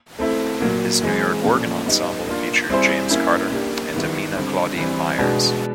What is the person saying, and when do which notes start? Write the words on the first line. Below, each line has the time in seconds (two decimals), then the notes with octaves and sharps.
His New York Organ Ensemble featured James Carter and Amina Claudine Myers.
0.19 A3 C4 E4 A4
0.60 A#2 F#3 A#3
1.02 E3 G#3 C4
1.44 A#2 F3 A3 C#4
1.85 G3 B3 D#4 G4
2.27 A#3 D4 F4
2.69 G3 C4 E4 G#4 C5
3.11 A#3 C#4 E4
3.52 A#3 D4 G4
3.94 D#3 G3 B3 E4 G4
4.36 D3 G3 C4
4.77 E3 G3 C4
5.18 B2 G#3 B3 D4